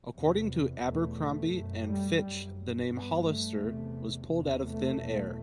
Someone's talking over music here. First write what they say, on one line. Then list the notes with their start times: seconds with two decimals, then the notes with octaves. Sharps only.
According to Abercrombie and Fitch, the name "Hollister" was pulled out of thin air.
0.14 E2 C3
0.83 E2 B2 A3
1.51 F#2
1.86 G3
2.20 F#2
2.90 G2 B3
3.25 A3
3.59 E2 C3
4.28 E2 C3
4.63 A3
4.97 E2 B2